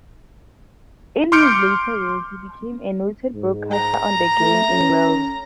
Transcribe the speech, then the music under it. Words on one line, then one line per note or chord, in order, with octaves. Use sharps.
In his later years he became a noted broadcaster on the game in Wales.
C6 D6 F6 G6 C#7 D7
G#2
A#5
A3
C#4